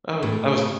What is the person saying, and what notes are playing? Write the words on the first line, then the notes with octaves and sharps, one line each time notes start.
I wa I was
A2